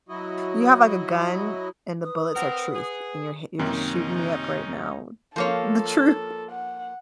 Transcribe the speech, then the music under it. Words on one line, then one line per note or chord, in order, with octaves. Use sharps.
You have, like, a gun and the bullets are truth and you're hi you're just shooting me up right now the the truth
F#3 E4 F#4 D#5
B4 D#6
C4 A#4 F#5
G#4
F#2 C3 D#3 A#3 C#4 D#4
F3 A#3 A4 C#5
F#5